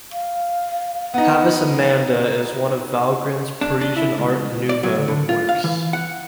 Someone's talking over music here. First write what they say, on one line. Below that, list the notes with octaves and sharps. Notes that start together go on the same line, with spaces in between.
"Havis Amanda" is one of Vallgren's Parisian Art Nouveau works.
F5
B3 D#4
D4
D4
E4
C#2
D5
F#3
D2
D3
F4
F5
E3
F#5